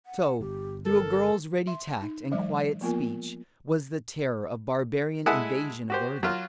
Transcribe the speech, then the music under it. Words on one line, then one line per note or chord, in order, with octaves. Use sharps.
So, through a girl's ready tact and quiet speech, was the terror of barbarian invasion averted.
F#5
G1 G4
A4 A#4
E5 C6
D#4
E3 F#3 G#3 E5
F3 A#3 B3 F4 A#4 G#5
G#3 E4 A4 E5 F#5 G#5
F#4 G4 C5
F#3 F4